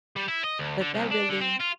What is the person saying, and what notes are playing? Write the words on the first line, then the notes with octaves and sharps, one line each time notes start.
but that really
G3
E4
D#5
D2
D3
C2
D4
D3
C4
F4